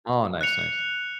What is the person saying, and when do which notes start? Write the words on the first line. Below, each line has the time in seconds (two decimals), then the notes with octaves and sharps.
Oh, nice, nice.
0.41 F#6 C#7 F7